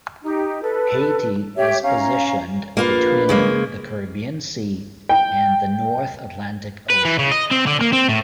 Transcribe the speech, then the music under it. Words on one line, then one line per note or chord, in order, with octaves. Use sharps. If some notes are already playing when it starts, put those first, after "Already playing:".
Haiti is positioned between the Caribbean Sea and the North Atlantic Ocean.
D#4 G4
A4 B4
G4 C#5 E5
C#4 F5 A#5
A#1 A#3 F4 B4
C#3 G#3 A#3
G5
B4
E3
C#3
D#5
C4
D3
A#3
C4
A2